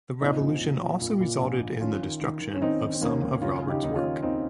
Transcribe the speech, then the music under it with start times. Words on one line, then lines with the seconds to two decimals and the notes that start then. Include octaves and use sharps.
The Revolution also resulted in the destruction of some of Robert's work.
0.21 A#2 C4 D#4
0.41 A#1
0.61 A#2
0.81 A#2
1.01 A#2
1.20 A#2
1.41 A#1
1.61 A#1
1.81 D#3 C#4 F4
2.02 D#3
2.21 D#3
2.41 D#3
2.54 C#4
2.61 D#3 C4 D#4
2.81 D#3
2.94 C4
3.02 D#2 A#3 C#4
3.22 D#2
3.41 C#3 C#4 F4
3.62 C#3
3.69 D#4 G4
3.83 D#2 D#4
3.95 C#4 F4
4.02 D#2
4.22 D#2 C4 D#4